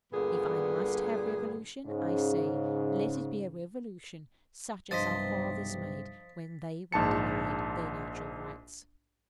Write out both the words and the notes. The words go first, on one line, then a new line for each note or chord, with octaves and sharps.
If I must have revolution, I say let it be a revolution such as our fathers made when they were denied their natural rights.
G2 A#2 D3 B3 G#4
G#2 C#3
B1 G2 C3 F3 C5 D#5 A6 B6
A#1 G#2 A5 C#7